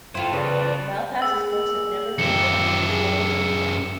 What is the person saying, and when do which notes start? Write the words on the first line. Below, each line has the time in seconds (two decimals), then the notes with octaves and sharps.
Malpass's books have never been filmed in his native England.
0.15 E4 F4 A4 C5 G5
0.33 C#3 B4 D5
1.22 A#3 G#4 E6
2.18 F#2 D#3 F3 G4 C#7 E7
2.88 G#4